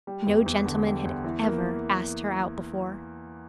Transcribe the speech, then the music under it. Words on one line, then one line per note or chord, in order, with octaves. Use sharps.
No gentleman had ever asked her out before.
G3
E2
E2
D3
G3
E2
E3
A#3